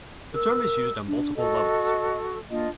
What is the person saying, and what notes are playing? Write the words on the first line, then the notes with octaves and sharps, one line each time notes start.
The term is used on multiple levels.
A#4 E6
D4
F#4 A4 D#5
A#3 D4 F4 D#5